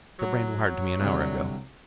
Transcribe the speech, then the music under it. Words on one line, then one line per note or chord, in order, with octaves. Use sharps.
"Mr. Brand wired to me an hour ago."
F#3
C2 D3